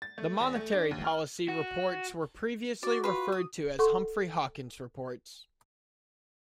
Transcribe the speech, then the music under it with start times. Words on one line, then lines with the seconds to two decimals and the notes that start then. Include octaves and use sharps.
The Monetary Policy Reports were previously referred to as Humphrey-Hawkins reports.
0.02 A6
0.18 A3
0.40 E2
0.56 A3
0.72 D4
0.91 D#2
1.05 F6
1.48 F#4
2.83 F#4 D5
3.04 F4 B4
3.32 D#6
3.79 A4 F#5 C6 C#6